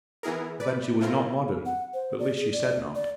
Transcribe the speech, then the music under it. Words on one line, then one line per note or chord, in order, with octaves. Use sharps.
But then she was not modern, at least she said not.
E3 B3 E4 G#4 A#4
B4 D5
A3 C4 E4 F4 A#4
F#5
C5
D5
G#4
D5
D5